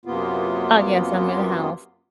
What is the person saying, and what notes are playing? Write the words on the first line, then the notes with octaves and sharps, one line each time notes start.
Uh, yes, I'm in a house.
F#2 C3 A#3 B3 F4